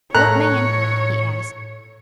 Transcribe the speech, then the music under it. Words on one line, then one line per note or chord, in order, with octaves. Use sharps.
"What man?" he asked.
A2 A3 C#5 A#5 F#6